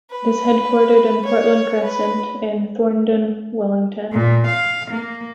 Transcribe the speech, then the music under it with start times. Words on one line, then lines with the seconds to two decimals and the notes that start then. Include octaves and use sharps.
It is headquartered in Portland Crescent in Thorndon, Wellington.
0.10 B4
1.25 C#5
1.83 B4
4.12 A#2
4.47 F5
4.92 A#3